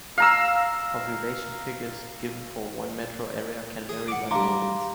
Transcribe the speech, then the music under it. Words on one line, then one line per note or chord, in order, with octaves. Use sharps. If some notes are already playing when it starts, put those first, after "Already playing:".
Population figures given for one metro area can vary by millions.
F5 A#5 E6
G#4
F#5 D6
G3 D4 F5 A#5 C6